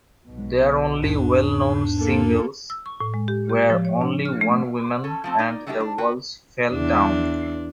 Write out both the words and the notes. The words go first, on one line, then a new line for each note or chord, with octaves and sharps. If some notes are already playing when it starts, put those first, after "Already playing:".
Their only well-known singles were "Only One Woman" and "The Walls Fell Down".
B1 B2
E2 G#2 D4
A#3 A4
E6
C#6
A2
G#3
G4
G4
F3
C#5
D4
F6
A3
C#4 A4
F3 A3 C4
D#4 D5
F#3 G3 A3 D#4 F#4 G4
D4
F#4 B4 G5
E2 D4